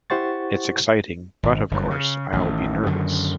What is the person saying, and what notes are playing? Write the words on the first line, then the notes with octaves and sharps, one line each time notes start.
It's exciting but, of course, I'll be nervous.
E4 G4 C5 F#5 C#6 A6
G#1
G1 F#2
C#3
A1 D#3
F#2 D3 D#3